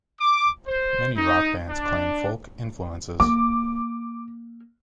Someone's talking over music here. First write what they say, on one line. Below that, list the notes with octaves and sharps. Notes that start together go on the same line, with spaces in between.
Many rock bands claim folk influences.
D6
C5
D#4
D4
A#3 D6